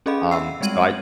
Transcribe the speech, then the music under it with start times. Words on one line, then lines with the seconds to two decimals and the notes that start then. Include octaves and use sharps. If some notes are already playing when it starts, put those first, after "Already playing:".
um, so I
0.06 C#4 G#4 A4 D#5 F5 B5
0.31 E5 F#5 E6 C7
0.61 G3 G#3 C4 G#6 D#7 F#7